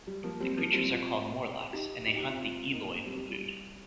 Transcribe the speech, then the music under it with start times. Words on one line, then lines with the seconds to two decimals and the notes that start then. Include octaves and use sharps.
The creatures are called "Morlocks" and they hunt the Eloi for food.
0.07 G3
0.24 F3 A#3
0.40 G3 C4
0.57 F3 A#3
0.73 G3 C4
0.90 C4 F4
1.73 D#4 G4
2.06 D#4 G4
2.17 D#4 G4
2.29 C4 F4
2.40 C4 F4
2.73 A#3 D#4
3.06 G3 C4
3.17 G3
3.29 G3